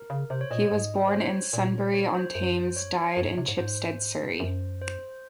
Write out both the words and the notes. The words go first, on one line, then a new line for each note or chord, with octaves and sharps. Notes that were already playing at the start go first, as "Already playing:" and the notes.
He was born in Sunbury-on-Thames; died in Chipstead, Surrey.
Already playing: A#4
C#3
C3 C5
C#5
A#2 D#5
D#5
G#2
C5
C#5
A#2
C#5
C5
F#2 C5
C#5
F#2
G#2
C3
G#2
G#2 C5
F#2
C5